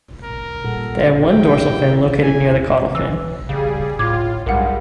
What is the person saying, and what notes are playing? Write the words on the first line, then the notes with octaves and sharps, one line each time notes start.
They have one dorsal fin located near the caudal fin.
A#4
A#2 G3 A4 F#5
D#3 E4 G4 A#4 E5 G5
C#4 E4
G#5
E3 E6
C#3 G3 G#4 F5
A2 F4 D6 G#6
B1 G2 G3 G#3 A#4 F5 F#5